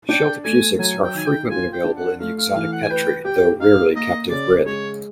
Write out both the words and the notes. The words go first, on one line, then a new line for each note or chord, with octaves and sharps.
Sheltopusiks are frequently available in the exotic pet trade, though rarely captive-bred.
D4 G5
A3 G#5
F#3 G#5
G5
D#3 G#5
G5
F4 G#5
G5
D4
F#5
A3 F5
F5
E3 F5
F#5
G#5
B4 G5
G4 G5
D#4 F5
A#3 D#5
C#3 D5
G#3 C#5